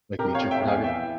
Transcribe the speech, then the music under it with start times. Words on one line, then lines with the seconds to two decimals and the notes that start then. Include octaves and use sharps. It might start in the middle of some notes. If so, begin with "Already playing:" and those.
Like nature photograph
0.19 C3 G4 A#4
0.34 C#5 F5
0.40 F1
0.51 E5 G5
0.62 E2
0.67 F5 G#5
0.83 E3 E5 G5